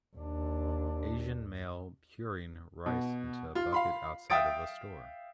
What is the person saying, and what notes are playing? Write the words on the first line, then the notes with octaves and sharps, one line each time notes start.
Asian male puring rice into a bucket outside of a store.
D#2 D4
B2
F4
F5 B5 C6
E5 F5 G5 D#6 A6 D7